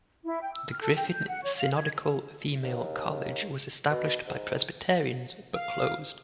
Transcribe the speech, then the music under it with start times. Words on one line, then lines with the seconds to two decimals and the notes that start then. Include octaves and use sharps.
The Griffin Synodical Female College was established by Presbyterians but closed.
0.24 E4
0.42 G5
0.54 E6
0.70 F6
0.81 A4
0.96 G5
1.09 G6
1.28 F#5
1.43 C#5
1.57 F5
1.76 G#6
2.63 D#2
3.91 B2
4.27 G#2
5.55 F5